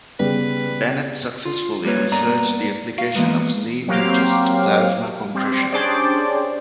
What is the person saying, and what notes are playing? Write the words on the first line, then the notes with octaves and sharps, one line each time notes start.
Bennet successfully researched the application of Z-pinches to plasma compression.
C#3 G3 B3 B4
F4
G3 A#3 B4 C#5
G2 A#3 B3 D5 A#5
F#4 F5
E3 G#3 A#3 B3
F#3 A#3 C4 G4 F5
G3 C4
C#4 D4 G4 G#4 C5 D5